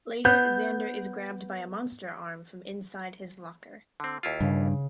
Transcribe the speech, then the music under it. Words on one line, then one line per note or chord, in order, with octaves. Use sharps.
Later, Xander is grabbed by a monster arm from inside his locker.
B3 G6
D3 C4
D#2 E4 F4
G2 C#3